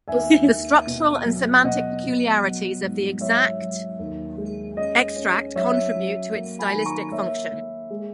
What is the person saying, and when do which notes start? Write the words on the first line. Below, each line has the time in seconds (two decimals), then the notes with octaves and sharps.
The structural and semantic peculiarities of the extract contribute to its stylistic function.
0.08 D#2 E5 G#5
0.47 D#2
0.87 B2
1.25 F#3
1.64 B2 D#5 F#5
2.04 B2
2.43 F#3
2.81 G#2
3.21 F#3 C#5 E5
3.60 F#3
3.99 D#2
4.38 G#3
4.77 C#4 D#5
5.16 C#4
5.56 F#3 C#5 E5
5.95 F#3
6.34 A#3
6.59 G#5 B5
6.72 D#3
6.86 A#5 C#6
7.11 A#3 C#5 E5
7.51 A#3
7.90 G#3